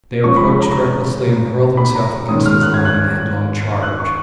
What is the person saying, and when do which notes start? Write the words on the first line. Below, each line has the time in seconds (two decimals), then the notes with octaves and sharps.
They approached recklessly and hurled themselves against his line in a headlong charge.
0.24 F3 G#3 C#4 C#6
0.36 B5
0.49 B5
0.62 A#5
1.77 B5
1.94 A#5
2.29 D#3 G#3 C#4 D#6
2.46 F6
2.63 F#6
2.74 G#6
2.85 F#6
3.83 F#6
4.00 C#6